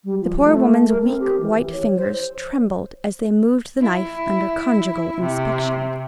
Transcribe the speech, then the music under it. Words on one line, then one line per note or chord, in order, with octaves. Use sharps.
The poor woman's weak white fingers trembled as they moved the knife under conjugal inspection.
G3
F3
A3
A#4
C4
G4
E3
C#5
C5
E4
C3